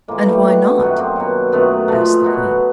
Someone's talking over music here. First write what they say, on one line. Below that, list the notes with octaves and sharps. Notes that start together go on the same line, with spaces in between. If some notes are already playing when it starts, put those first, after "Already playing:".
"And why not?" asked the queen.
A2 E3 G#3 A#3
G3 A3
B2 F#3
F#2 D#3 F#3 A3 B3
A#3 C4
B2 F#3
F#2 D#3 F#3 A3 B3
A#2 F3 A3 B3
B2 F#3